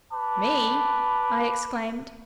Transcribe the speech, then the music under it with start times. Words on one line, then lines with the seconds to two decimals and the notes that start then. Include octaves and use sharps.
"Me!" I exclaimed.
0.13 B4 A5 D6